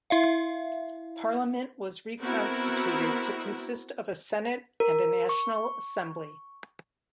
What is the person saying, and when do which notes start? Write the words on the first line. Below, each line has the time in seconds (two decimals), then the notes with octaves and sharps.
Parliament was reconstituted to consist of a Senate and a National Assembly.
0.10 E4 E5 F5
2.23 B3 C4 E4 F#4 A#4
4.80 A#4
5.29 C#6